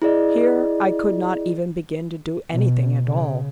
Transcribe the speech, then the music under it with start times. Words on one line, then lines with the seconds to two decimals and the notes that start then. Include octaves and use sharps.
Here I could not even begin to do anything at all.
0.02 E4 G#4 D5 D#5
2.51 B2
3.05 C#3